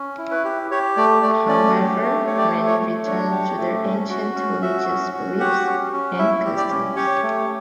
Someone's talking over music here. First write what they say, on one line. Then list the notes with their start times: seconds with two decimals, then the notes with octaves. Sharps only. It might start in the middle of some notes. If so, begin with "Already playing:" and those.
However, many returned to their ancient religious beliefs and customs.
Already playing: C#4
0.18 E4
0.31 B4
0.44 G4
0.71 G4 C#5
0.97 A3 D5
1.22 A3 D5
1.49 C#4 D5
1.75 G4
2.02 A3
2.27 G4 C#5
2.38 D5
2.49 C#5
2.53 A3
2.67 C#5
2.79 A3
3.05 D4 C#5
3.31 G4
3.57 A3
3.83 C#4
4.09 F#4
4.35 C#4
4.62 F#4 E5
4.89 C#4
5.14 F#4
5.40 G4 F#5
5.66 C#4
5.93 C#4
6.19 E4 E5
6.45 G4
6.58 D5
6.71 C#4
6.96 G4 C#5
7.23 A3